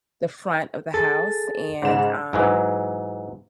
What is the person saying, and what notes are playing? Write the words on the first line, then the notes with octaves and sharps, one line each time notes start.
the front of the house, and, um,
G#4 A4 A6
G#2 C#3 E7
G#2 E3 F#3